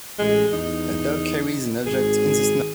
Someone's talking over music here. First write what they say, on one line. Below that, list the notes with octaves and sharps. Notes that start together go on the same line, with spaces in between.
A dog carries an object in the snow.
A1 G#3
E2 D#4
G#1 G#4